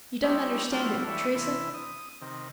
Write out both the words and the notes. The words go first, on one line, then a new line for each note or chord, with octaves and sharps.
"You don't understand it, Teresa?"
G3 C4 C#4 D#4 E4 G4
F#3 A3 C4 D4 E4 F4
E3 G3 C#5 D5 E5
C3 E3 E4
D#6
C3 D#3